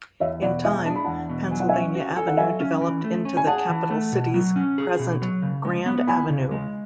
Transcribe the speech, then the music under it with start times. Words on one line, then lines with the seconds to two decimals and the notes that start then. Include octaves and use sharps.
In time, Pennsylvania Avenue developed into the capital city's present "grand avenue".
0.20 E2 C#5 E5
0.42 B2 D5 F#5
0.64 G#3 E5 G#5
0.86 D4 A5
0.95 B5
1.04 E2 F#5 A5
1.30 B2
1.51 F#3 G#5
1.60 F#5
1.69 C#4 E5 G#5
1.95 F#4
2.17 A4 G#5
2.28 F#5
2.37 F#3 E5 G#5
2.60 C#4
2.81 E3
3.04 A3
3.25 C#4
3.37 G#5
3.47 G#4 F#5 A5
3.69 E3
3.90 A3
4.12 B2
4.34 F#3
4.56 C#4
4.78 G#4
4.99 B2
5.22 F#3
5.42 C#3
5.65 G#3
5.86 B3
6.07 E4 G#5 B5
6.30 C#3
6.51 G#3